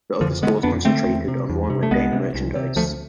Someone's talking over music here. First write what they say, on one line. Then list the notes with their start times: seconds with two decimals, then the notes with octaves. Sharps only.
The other stalls concentrated on more mundane merchandise.
0.21 F2 D3 F3
0.42 D3 G#3 B3
0.63 F2 B3 D4
0.85 D3 A3 C4
1.06 E2
1.28 C3
1.49 E2
1.70 C3
1.83 A3
1.91 C2 G#3 B3
2.12 C3
2.34 C2
2.55 C3
2.76 D2 F3 A3